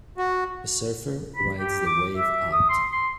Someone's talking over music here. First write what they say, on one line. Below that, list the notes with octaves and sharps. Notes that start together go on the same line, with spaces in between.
A surfer rides the wave out.
F#4
B5
G4
D6
E5
D#6
C6
C6